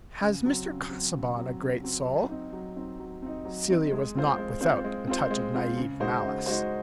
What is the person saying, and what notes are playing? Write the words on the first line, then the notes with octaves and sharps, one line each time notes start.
"Has Mr. Casaubon a great soul?" Celia was not without a touch of naive malice.
C#3
F#3 C4
C#3
F#3 C4
C#3
F#3 C4
C#3
F#3 C4
F#3
C4 D#4
F#3
C4 D#4
F#3
C4 D#4
F#3
C4 D#4
G#3
C4 F4 C5
G#3
C4 F4 C5
G#3
C4 F4 C5
G#3
C4 F4 C5
C#3
G#3 D#4 F#4 C5
C#3
G#3 D#4 F#4 C5